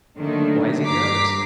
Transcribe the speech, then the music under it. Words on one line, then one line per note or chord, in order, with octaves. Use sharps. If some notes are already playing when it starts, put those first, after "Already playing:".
Why is he nervous?
D3 D#3 F#3 A3 A#3 D4
G2 A#5 D6 B6 C7